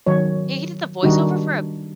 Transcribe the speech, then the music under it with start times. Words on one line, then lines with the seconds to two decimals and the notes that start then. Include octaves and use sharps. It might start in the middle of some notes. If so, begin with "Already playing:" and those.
He he did the voiceover for a
0.06 D#3 F#3 C#5
1.03 D#3 G3 D4 D#4 F#4